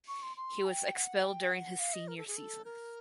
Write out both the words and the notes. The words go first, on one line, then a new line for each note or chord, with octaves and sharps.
He was expelled during his senior season.
C#6
C6
C6
G#5
G5
F#5
G#5
G5
F#5
F5
D#5
A#4
A4
G#4
A4
A#4